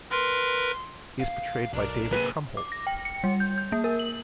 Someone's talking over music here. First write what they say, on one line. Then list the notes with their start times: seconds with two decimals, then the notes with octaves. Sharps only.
He is portrayed by David Krumholtz.
0.11 A#4 B4 C6
1.20 F5
1.73 B1 D4 A#4
2.13 C3 A#3 G#4 B4 D#7
2.57 D6
2.72 A#6
2.87 G5
3.05 C#7
3.24 G3
3.40 G6
3.58 G6
3.72 A#3
3.84 A#4
3.99 F#7